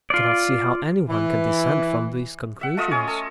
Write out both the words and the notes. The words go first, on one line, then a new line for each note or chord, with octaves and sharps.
'I cannot see how anyone can dissent from these conclusions.'
F4 D5
E3
E5 F#5
A3 F4 D#5 D#6
C#4 C#5
A4